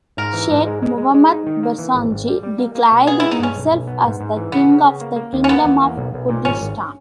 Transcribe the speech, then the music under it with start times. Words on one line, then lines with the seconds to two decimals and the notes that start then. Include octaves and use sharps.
Sheikh Mahmud Barzanji declared himself as the King of the Kingdom of Kurdistan.
0.17 G#2 A#4
0.33 E3
0.50 G#2
0.67 G#3
0.83 G#3
0.98 G#3
1.14 G#3
1.31 D#4
1.46 D#3
1.63 A#3
1.78 E3
1.95 G#1
2.11 G#1
2.28 G3
2.43 G3
2.59 A#3
2.75 A#3
2.91 B2
3.07 B3 G#4
3.20 G#3 E4
3.31 D#4
3.39 G2 C#4
3.56 B1
3.72 B1
3.87 B3
4.04 G#2
4.20 G#2
4.37 E3
4.52 C#3 B3
4.69 C#3
4.84 C#3
5.01 A#3
5.16 A#3
5.33 D#2
5.44 C#4
5.49 A#3 B3
5.64 E2
5.82 A#3
5.97 B1
6.14 B1
6.29 A#2
6.45 G#1 C#4
6.61 G#1